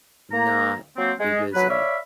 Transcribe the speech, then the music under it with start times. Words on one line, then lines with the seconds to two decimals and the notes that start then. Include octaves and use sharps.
not be busy,
0.32 A#3 A#5
0.97 F#3 A#3 C4
1.18 G#3
1.53 F#3 B4
1.68 C#5 D5 E5 F5 B5